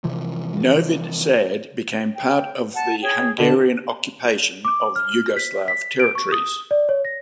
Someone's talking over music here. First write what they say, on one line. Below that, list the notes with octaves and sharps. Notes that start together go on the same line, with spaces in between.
Novi Sad became part of the Hungarian occupation of Yugoslav territories.
C3 E3 F3
G5
F#5 A5
G#4 C#5 G5
B2 D3 A5
D6
F6
B6
B6
D7
C#6
D#6
D5
C#5
A#6